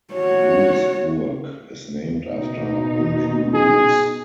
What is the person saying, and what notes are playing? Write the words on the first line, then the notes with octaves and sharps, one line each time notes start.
Lewisburg is named after Andrew Lewis.
F#4 C#5
B2 D#4
G#4